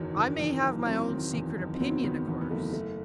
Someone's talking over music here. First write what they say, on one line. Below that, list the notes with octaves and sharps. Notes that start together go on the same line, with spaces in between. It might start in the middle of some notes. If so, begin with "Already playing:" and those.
I may have my own secret opinion, of course.
Already playing: F#1 E2 D#3 F#3
D#3
E2
F#1
F#3 C4
D#3
E2
F#1
C4
F#3 B3
D#3 B3
E2 B3
B3
F#1 A3
A3